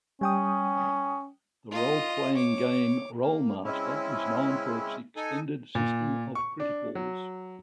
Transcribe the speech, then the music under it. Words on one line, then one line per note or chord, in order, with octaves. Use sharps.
The roleplaying game "Rolemaster" is known for its extended system of criticals.
G3 C#4 G5 D#6
F4 D#5
C#5 D6
A#3
C#3 G#3 C4 C#4 E4
D#4 A4 G#5
A#2
C#6
D4
F#3